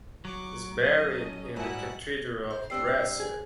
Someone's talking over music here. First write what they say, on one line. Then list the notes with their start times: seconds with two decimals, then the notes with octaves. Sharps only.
He is buried in the Cathedral of Brescia.
0.25 F#3 C#6 D6
0.79 A3 C#4 D#5
1.09 C#4
1.56 G#2 G3 E4 F#4 F#5 G#5 A5 F#6
2.50 C5
2.70 G3 C4 D4 E6 C7
3.20 G#4